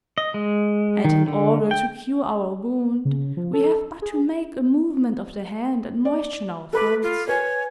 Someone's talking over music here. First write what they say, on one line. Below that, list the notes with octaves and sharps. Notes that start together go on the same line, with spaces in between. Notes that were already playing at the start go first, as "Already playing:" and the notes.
And in order to cure our wound we have but to make a movement of the hand and moisten our throats.
D#5
G#3
D#3
D3
G5
C#3
F3
A4
G#4
D5
A4 B4 B5 D6
F4
B4 C#5 G#5